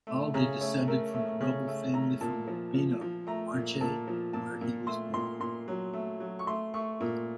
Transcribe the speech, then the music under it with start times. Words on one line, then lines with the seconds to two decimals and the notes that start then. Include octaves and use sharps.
Baldi descended from a noble family from Urbino, Marche, where he was born.
0.07 A3
0.34 C#3 A#5
0.61 A3 C#5
0.88 A3 A#4
1.14 A3
1.41 C#3
1.68 A3
1.94 A3 A#5
2.21 A#2 A5
2.48 F3
2.74 F3
3.01 F3
3.27 A3 A#5
3.54 A#2
3.81 A#2 A5
4.08 F3
4.33 A#2 A5
4.61 A#2
4.87 A3 C6
5.14 A#2 C6
5.40 A#2 C6
5.68 F#3
5.93 A3
6.20 F#3
6.39 C#6
6.47 A3 C6
6.74 A3 C#6
7.00 A#2